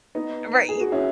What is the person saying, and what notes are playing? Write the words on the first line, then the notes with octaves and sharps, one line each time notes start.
Uh, right, e
B3 D#4
G#4
F#4
C#4 E4